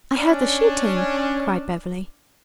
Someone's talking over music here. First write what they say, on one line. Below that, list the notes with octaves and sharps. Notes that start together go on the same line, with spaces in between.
"I heard the shooting," cried Beverly.
C#4 D4